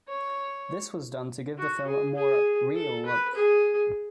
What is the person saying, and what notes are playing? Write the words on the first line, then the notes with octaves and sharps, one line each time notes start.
This was done to give the film a more "real look".
C#5
F#4
G#4
G#4
A4
B4
G#4